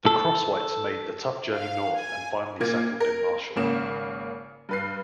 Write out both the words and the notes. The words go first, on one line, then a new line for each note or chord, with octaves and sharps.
The Crosswhites made the tough journey north and finally settled in Marshall.
A4
F5
G#5
A#2 A#3 G#6
A#4
G#1 C#3 A#3 E7
G2 B4 C7